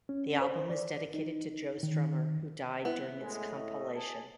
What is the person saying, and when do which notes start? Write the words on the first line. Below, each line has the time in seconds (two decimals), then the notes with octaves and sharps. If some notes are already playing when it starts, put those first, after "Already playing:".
The album is dedicated to Joe Strummer, who died during its compilation.
0.09 C#4
0.41 C5
0.69 D5
1.14 D#4
1.83 D#3
2.85 B3 E4
3.21 A2 G#3
3.55 A3 D#5
3.93 G#4 A5